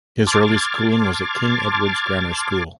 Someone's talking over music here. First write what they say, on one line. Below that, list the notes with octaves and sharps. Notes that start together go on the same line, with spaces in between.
His early schooling was at King Edwards Grammar School.
A5 C6 D6 F6 G#6 A6